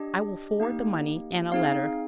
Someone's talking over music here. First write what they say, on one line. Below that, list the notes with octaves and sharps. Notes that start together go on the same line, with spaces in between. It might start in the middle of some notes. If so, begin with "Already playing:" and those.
I will forward the money and a letter.
Already playing: D4 G4 D#5
A#3 D#4 G4
C4 D#4 G#4 F5